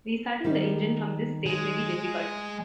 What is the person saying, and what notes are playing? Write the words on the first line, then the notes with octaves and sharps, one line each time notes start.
Restarting the engine from this state may be difficult.
D#3 G3 D#4
G#3